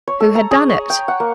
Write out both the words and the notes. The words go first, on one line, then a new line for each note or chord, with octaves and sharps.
Who had done it?
C#5
A4
A#5
G#4
C#5
G5
F#5
A#3